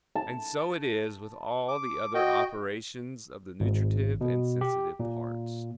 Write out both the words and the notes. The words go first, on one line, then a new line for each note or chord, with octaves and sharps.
And so it is with all the other operations of the nutritive and sensitive parts.
A5
D6
F#4 D#5 G5
G#1
B2
G4
A#2